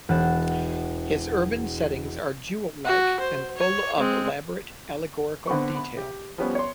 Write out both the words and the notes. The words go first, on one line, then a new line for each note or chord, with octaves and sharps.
His urban settings are jewel-like and full of elaborate allegorical detail.
E1 F#5 A6 E7
F#4
C5
C#5
G#3 C4
D3 B3 C4 B5 C#6
B5
G4
F3 G3 B3 C#4
C#5 C6